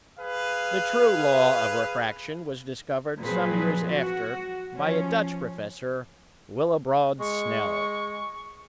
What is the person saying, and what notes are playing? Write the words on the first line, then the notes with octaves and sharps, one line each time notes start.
The true law of refraction was discovered some years after by a Dutch professor, Willebrod Snell.
G#4 B4 F5
A#2 F3 F#3 C4 G#4 B4
F#4
F3 C#4
G#3 C#6